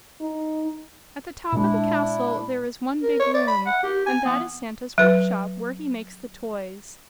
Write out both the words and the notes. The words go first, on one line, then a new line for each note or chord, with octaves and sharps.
At the top of the castle there is one big room, and that is Santa's work-shop, where he makes the toys.
D#4
A#2 G#3 D4 E4
A#4
C#5
D5
B5
F#5
G4
G#5
B3
F#3 B4